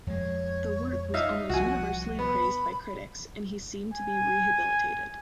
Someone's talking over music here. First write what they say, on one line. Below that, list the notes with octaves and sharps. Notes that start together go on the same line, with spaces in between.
The work was almost universally praised by critics, and he seemed to be rehabilitated.
F2 G#3 C#5
D#4 E5 F5
C2 F3 F#4 F#5 G#5
B3 B5
G#5